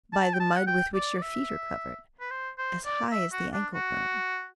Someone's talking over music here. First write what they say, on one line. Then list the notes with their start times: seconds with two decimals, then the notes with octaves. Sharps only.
"By the mud with which your feet are covered, as high as the ankle-bone."
0.13 A5
0.33 G5
0.40 A5
0.56 F#5
0.67 G5
0.94 D5
1.17 D5
1.22 E5
2.20 B4
2.30 C5
2.58 C5
2.85 D5
3.12 E5
3.32 F#4
3.53 D4
3.74 F#4